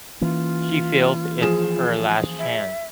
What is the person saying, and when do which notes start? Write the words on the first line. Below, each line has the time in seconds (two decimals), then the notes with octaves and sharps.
She feels it's her last chance.
0.21 E3 A#3 C#4 F4
1.41 F3 G#4 E7
2.39 E5